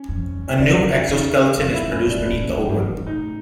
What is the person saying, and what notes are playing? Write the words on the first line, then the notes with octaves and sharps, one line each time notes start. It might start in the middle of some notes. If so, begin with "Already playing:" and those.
A new exoskeleton is produced beneath the old one.
Already playing: C#4
F2
F2
C#4
E2 D4
F2
E2 D#4
F2 F4
E4
F#2
C#4
F2 D4
F2
E2
A2
G2
G#2
F2
A2 D#4